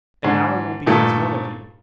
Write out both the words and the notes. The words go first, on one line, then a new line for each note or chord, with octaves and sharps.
And now I will be as one of you.'
G#2 D3
G2 A#2 D#3 A3